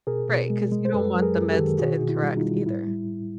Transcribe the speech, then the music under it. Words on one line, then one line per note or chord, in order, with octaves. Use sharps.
Right, 'cause you don't want the meds to interact either.
B2 G#4 A#4
B2
G#3
G#3
C5
F#2 A4 B4
F#3
G#4 A#4
F#2
G4 A4
D#3
B2 F#4 G#4
B2
E4 F#4
G3
D#4 F4
G3
A2 E4
G3